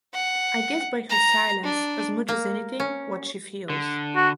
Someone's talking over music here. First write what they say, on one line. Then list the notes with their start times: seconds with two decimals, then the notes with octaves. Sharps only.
I guess by her silence, as much as anything, what she feels.
0.14 F#5
1.10 A#5
1.64 D4
2.28 A#3
2.80 C#4
3.70 D3
4.16 F#4